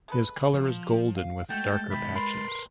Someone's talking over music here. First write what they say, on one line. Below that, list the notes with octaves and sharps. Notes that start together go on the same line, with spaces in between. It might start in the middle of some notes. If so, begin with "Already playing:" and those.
His color is Golden with darker patches.
G#3 A4 B4
F3
F5
G#3 A3 F#4 G5 A6
B2 D#3 E5 G5 B5
A#4 B4 B5 C6